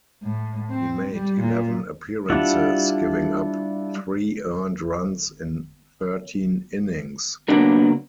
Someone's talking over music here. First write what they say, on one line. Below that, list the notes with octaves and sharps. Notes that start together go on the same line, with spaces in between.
He made eleven appearances, giving up three earned runs in thirteen innings.
A2
C4
G3
A#2
G3 D4 E4 F4 F#5
C#3 F#3 A#3 B3 D4 A#4